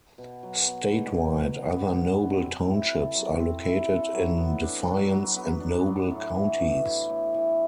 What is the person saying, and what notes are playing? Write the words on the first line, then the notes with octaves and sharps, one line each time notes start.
Statewide, other Noble Townships are located in Defiance and Noble counties.
B2
F#3
B3
B2
B2
F#3
B3
B2
F#3
C4
E4
A4
F#3
C4
E4
A4
F#3
B3
D4
F#3
F#3
B3
D4
F#3
A2
E3
A3
E4
A2
E3